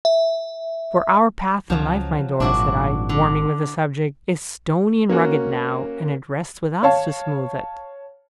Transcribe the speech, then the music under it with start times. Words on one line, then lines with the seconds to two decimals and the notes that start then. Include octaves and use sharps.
For our path in life, my Dora,' said I, warming with the subject, 'is stony and rugged now, and it rests with us to smooth it.
0.05 E5
1.70 C#2 F3 F#3
2.40 G#1 A#2 F3 G3 D4 E4 F#4
3.09 D3
5.09 A#3 C#4 F#4
6.83 C#5 F5 A5